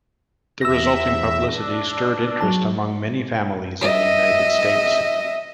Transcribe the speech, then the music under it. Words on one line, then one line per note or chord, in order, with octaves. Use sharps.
The resulting publicity stirred interest among many families in the United States.
E2 E5 E6 A#6
D4
F#3 A5
D#5 E5